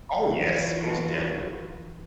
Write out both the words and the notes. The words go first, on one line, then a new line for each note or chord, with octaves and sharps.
Oh yes, most definitely.
D#3 E3 F#3 F4 F#4 B4